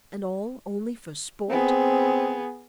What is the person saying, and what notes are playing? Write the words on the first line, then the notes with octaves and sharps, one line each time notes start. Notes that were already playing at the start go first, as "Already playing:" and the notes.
And all only for sport?
B3 C4 G#4